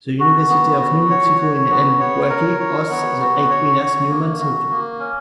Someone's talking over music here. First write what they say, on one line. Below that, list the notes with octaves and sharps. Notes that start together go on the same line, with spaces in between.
The University of New Mexico in Albuquerque hosts the Aquinas Newman Center.
F#4
B3
F#4
C#5
F#4
B3
C#5
A#4
C#5
B3
F#4
C#5
F#4
A#3
F#4
A#3
C#4